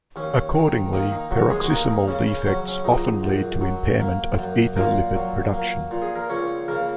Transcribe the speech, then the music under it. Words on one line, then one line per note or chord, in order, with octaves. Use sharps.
Accordingly, peroxisomal defects often lead to impairment of ether-lipid production.
D#2 C#4
D#3
A#3 D#4
D#4
D#2 F#3 F#4
G#3 G#4
F#4
A#3 D#4
D#4
C#3 C#4
C#4
F#3 C#4
C#4
C#2 D#4
F#2
F#3
A#3
F#2
A#2 A#3 A#4
F#3
A#3
A#2
G#4
A#4
C#2 C#4 C#5
C#3 A#3 A#4